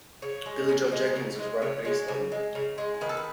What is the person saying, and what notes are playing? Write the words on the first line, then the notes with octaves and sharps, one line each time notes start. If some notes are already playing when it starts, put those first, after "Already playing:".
Billie-Jo Jenkins was brought up in East London.
C#3 C#5
G#3
C#3
G#3
C#3
G#3
C#3 C#5
G#3
C#3
G#3
C#3
G#3
D#3 B4
A4
B4